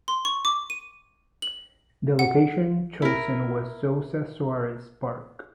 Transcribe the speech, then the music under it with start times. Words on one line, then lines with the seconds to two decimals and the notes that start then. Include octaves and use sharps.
The location chosen was Souza Soares Park.
0.08 C6
0.25 C#6
0.45 D6
0.70 D#7
1.42 F#7
2.19 F#5
3.02 E4 A#4